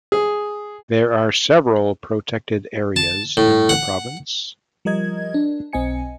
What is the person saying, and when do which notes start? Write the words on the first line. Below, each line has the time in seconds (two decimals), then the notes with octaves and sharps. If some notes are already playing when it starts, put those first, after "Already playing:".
There are several protected areas in the province.
0.12 G#4
2.96 A5
3.37 A2
3.69 F#5
4.85 F3 G3 A#4 D#5 G#6
5.34 D4
5.73 B1 C4 D#5 G#5 C#7